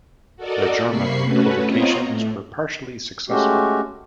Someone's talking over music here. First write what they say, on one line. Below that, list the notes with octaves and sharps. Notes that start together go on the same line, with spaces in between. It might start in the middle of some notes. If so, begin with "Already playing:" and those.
The German provocations were partially successful.
F#4 A4 A#4 D5 D#5
C3 A#3 B5 C#6 C7
A3 C#4 F#4 B4
B3 C4 F4 C#5 D#5 A#5
A2
G#3 A3 C#4 F#4 G4